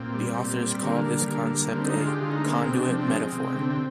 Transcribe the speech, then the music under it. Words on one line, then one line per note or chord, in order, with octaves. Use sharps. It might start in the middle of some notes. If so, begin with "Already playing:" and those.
The authors call this concept a "conduit metaphor".
Already playing: A#2 C4
G3
A#2
G3
D3 A#3
G3
D3
G3
D3 C4
D#4
G#3 F4
G4
D3 F4
D#4
G#3 A#3
C4
A#3
C3 C4
D4
C4
F3 D4
C4
G#3 D4
C4
C3
D3 C4
C4